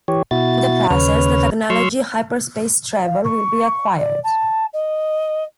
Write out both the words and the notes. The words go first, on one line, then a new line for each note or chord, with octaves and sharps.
In the process the technology "Hyperspace travel" will be acquired.
E3 G4 C#5
B2 E4 F#4 A6
D#2 C#3 B4 C#5 F6
F#3 C6 C#6 E6 F6
F5
C#6
D5
A5
D#5